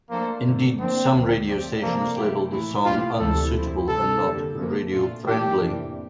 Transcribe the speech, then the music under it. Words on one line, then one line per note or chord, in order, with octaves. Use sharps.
Indeed, some radio stations labelled the song 'unsuitable' and not 'radio-friendly'.
F3 A3 A#3 D4 A4 C5
G2 D3 A3
F3 A#3 C4 D4
D2 D3 F3 A#3
F3 A3 C4 G4 D5
C3 F3 A3 A#3 D4 A4
C3 F3 A3 E4 G4
A2 E3 A3 E4
C2 A#2 A3 E4 F4 G4
D2 C3 E3 G3 A4
F3 C4 E4
C2 C3 E3 A4
F2 D3 G3 A#3
C3 F3 A#3
A#2 A3 D4 F4
A2 E3 A#3 D4 G4 A4
F2 C3 E3 A#3 D4